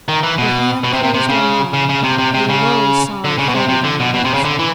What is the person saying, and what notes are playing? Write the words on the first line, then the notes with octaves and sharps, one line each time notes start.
Her hand closed on mine, a low sigh fluttered on her lips.
D#3
E3
B2
B2
C3
C3
C3
C#3
C#3
C#3
C3
C3
C3
C#3
D3
C#3
B2
C3
C3
D3
B2
B2
C3
C#3
D3
E3